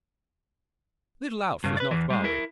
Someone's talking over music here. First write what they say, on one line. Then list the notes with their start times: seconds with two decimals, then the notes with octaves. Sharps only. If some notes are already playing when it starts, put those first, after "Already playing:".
Little Alf was knocked bawways.
1.64 G2 C#3
1.77 B4 D5
1.91 E2 E3
2.10 G3 G#3
2.24 E4 A#4